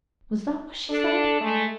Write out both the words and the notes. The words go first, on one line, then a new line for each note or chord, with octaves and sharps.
Was that what she said?
D4 A4
G#3 A3